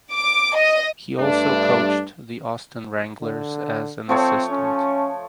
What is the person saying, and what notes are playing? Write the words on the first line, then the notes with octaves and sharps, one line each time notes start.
He also coached the Austin Wranglers as an assistant.
D6
D#5
G2 A3 D4
D3
F3 A3 C4 C#5
C#4